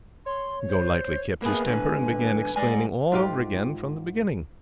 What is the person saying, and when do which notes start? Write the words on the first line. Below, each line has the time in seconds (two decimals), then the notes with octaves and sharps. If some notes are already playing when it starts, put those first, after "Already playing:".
Golightly kept his temper, and began explaining all over again from the beginning.
0.26 C#5 C6
0.68 C5
1.42 A#3 B3 G#4 B4
1.65 G#2 D3 G#5
2.56 G#2 G#3 D5 G#5
3.12 G#2 F4 G4